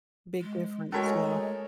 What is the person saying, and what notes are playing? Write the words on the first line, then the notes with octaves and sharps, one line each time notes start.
Big difference, yeah.
G#3
G#3 A3 C#4 F#4 A4 A#4 C#5 G#5